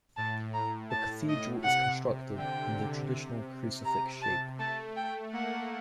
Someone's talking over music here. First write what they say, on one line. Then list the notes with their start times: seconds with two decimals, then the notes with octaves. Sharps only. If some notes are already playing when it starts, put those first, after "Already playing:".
The cathedral is constructed in the traditional crucifix shape.
0.17 A2 A5
0.54 A#5
0.91 A5
1.28 D#5
1.64 C3 F#5
2.37 D3 G5
3.12 C3
3.85 A#5
4.22 A5
4.58 A3 A5
4.96 G5
5.33 A#3 F#5